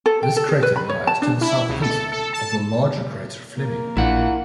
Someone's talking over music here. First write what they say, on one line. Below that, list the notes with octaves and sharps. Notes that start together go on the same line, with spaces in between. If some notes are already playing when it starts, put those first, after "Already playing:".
This crater lies to the southeast of the larger crater Fleming.
A4
G5
A4
G#4
B4
B5
C#5
A5
D4
E4
C#2
A4
A4
A5
A#3 A#4
A#1 A#2 D4 E4 F#5